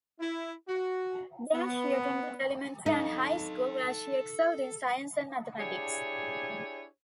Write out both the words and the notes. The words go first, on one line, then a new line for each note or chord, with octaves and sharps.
There she attended elementary and high school, where she excelled in science and mathematics.
E4
F#4
B3
D#4 A4 F5
D4 E4 G4 G#4 C#5